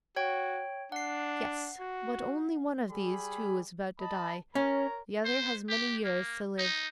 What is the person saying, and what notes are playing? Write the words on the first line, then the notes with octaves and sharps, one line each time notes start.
"Yes; but only one of these two is about to die; the other has many years to live."
F#4 C#5 G5
D4 F#5 C7
F#4
G3 G#4 B5
D#5 A5 B5
C#4 A#4 C#5 A#5
C5
G4
A#3
D#4